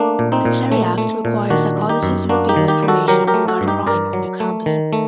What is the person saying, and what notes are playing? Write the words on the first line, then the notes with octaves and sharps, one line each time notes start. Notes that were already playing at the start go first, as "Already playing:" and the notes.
The Clery Act requires that colleges reveal information regarding crime on their campuses.
Already playing: A3 A#3 D4
A#2
C4 D#4
A#2
A3
A3
A#2
D#3 D4 F#4
G3
D#4 G4
F#2
A#3 D4 F#4
D#4 G4
D#3
D#4 G4
G3
F#4 A4
F#3 G4 A#4
G4 A#4
A3
F#4 A4
G2
D#4 G4
G2 A#4 D5
F#3
A3
D#3
A3